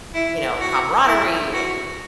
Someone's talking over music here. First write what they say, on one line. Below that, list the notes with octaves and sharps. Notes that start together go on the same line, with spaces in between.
you know, camaraderie and
E4
F#4
E4
F#4